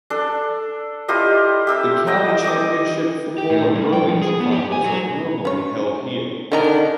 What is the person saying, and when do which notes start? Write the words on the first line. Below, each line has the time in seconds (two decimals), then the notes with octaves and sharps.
The County Championship football and hurling finals are normally held here.
0.10 D4 A4
1.08 E4 F4 G4 D#5
1.67 G4 E5 E6
2.07 D#5 G5 B5
2.44 D#5 D6
3.38 G4
3.50 A2
3.75 G3
3.92 G5
4.09 F3
4.22 G#4
4.40 B3
4.52 G4
4.72 G#5
4.86 F#3
5.45 C#4 C#5
6.52 D3 D#3 C#4 D4 A#4 D#5 A#5